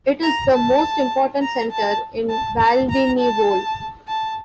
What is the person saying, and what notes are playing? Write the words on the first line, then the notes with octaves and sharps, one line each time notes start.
It is the most important center in Valdinievole.
A#5
A5
A#5
A5
A5
A5
A#5
A5
A5